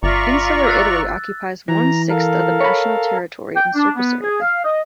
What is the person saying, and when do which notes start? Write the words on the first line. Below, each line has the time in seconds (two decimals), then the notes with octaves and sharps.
Insular Italy occupies one-sixth of the national territory in surface area.
0.03 G1 F4 D5 E5 A#5 C#6
0.67 E6 F#6 A6
1.68 E3 A#5
2.10 A4 A#4 F5
2.61 C#5 B5
3.55 G5
3.74 D4
3.95 B3
4.21 G#4
4.40 F5
4.64 D#5